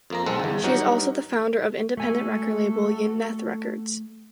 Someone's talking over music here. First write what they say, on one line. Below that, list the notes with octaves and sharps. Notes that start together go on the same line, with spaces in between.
She is also the founder of the independent record label Yidneth Records.
F2 A#3 A#5
B1 G#3 C4 A4 F#5
G1 E2
G2 F#3 D#4 F#4 F#5
A3 F#4 A4 G#5